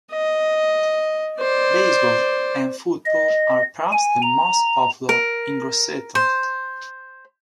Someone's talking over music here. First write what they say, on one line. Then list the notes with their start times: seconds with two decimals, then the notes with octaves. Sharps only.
Baseball and football are perhaps the most popular in Grosseto.
0.12 D#5
1.40 C5 D5
3.06 D#5
3.92 G#5
4.22 A#5
5.09 A#4
6.15 C5